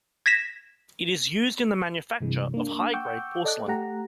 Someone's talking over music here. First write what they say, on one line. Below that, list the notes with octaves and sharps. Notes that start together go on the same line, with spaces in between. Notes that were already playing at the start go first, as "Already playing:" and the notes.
It is used in the manufacture of high grade porcelain.
G#6 A#6 B6 E7
G2 C3 E3 G#3
A#3 D4
F#5 G5 C#6 D6 E6 G6
A4 D5 D#5 A5 D6 F#6
A3 G4 F#5 A#5